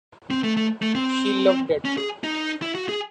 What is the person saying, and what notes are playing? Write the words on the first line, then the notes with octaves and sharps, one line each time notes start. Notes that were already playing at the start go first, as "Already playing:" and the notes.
She loved that.
C4
A3
A3
A3
C4
C#4
G#4
D#4
E4
F#4
G#4